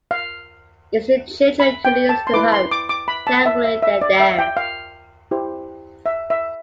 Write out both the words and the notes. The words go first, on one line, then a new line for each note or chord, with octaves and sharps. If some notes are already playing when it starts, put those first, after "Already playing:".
Its the children who lead us to hope, thankfully they’re there.
F5
B5
G5
A5
C6
E4 B4 D6
C6
D6
D6
B5
A5
E5
E5
E5
D5
E5
G5
F5
E4 G4 C5
E5
E5